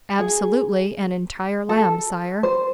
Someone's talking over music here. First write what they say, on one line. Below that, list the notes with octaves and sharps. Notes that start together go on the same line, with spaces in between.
"Absolutely an entire lamb, sire."
G#4
A4
C5